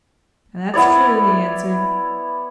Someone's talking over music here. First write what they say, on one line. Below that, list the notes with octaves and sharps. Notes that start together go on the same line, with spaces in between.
"That's true," he answered.
B3 E4 C#5 D5